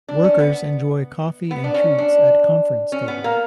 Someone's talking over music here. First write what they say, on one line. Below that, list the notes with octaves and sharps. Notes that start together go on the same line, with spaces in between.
Workers enjoy coffee and treats at conference table.
D4
C#4
B3
B3
D4
C#4
D4
C#4
B3
A#3